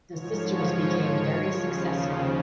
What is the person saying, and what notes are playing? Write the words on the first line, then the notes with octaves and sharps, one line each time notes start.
The sisters became very successful.
G#2 F3 C#5
D#2 C#3 F3